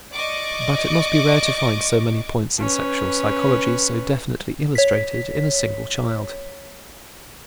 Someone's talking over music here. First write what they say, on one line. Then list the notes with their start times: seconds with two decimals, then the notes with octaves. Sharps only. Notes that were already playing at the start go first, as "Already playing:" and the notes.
But it must be rare to find so many points in sexual psychology so definitely illustrated in a single child.
0.13 D5 D#5 C#6 D6
2.59 C#4 B4
4.75 C#5 B6